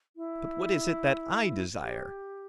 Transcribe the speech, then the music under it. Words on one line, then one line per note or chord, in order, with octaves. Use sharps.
But what is it that I desire?
E4
G4